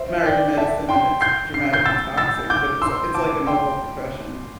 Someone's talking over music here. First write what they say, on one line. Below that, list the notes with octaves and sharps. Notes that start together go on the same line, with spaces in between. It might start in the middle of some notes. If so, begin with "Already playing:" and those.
Married to Medicine, and it's dramatic and toxic, but it's, like it's, like, a noble profession.
Already playing: C5 E5
D5 G5
E5 A5
G5 C6
G6 C7
C7
G6 C7
E6 A6
E6 A6
D6 G6
C6 E6
A5 D6
G5 C6